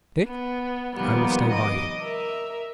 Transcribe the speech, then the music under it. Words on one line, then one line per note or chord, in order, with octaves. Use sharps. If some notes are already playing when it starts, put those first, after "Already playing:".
Dick, I will stay by you.
B3
B2 D#3 F3 G3 A#3 B3
D#5 D6
A#4 E5